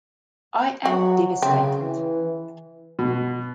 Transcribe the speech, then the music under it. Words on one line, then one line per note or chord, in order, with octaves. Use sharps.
I am devastated.
F#3 F#4
C#3 C4
E3
B2